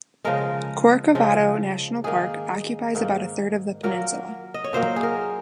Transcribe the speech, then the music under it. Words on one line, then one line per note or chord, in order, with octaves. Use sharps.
Corcovado National Park occupies about a third of the peninsula.
C#3 F3 G#3 A#4
C#3 F3 G#3
G#2 D#3 A#3 G#4
G#2 D#3 A#3
A#2 F#3 A#3 A#4
D#5
C#5
A#2 F#3 A#3 C5
G#4
A#4